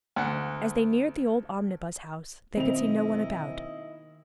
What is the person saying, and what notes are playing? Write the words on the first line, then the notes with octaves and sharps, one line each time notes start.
As they neared the old Omnibus House they could see no one about.
D2 F#5
B1 D#3 A#3 C4 E4 C5 D#5 F7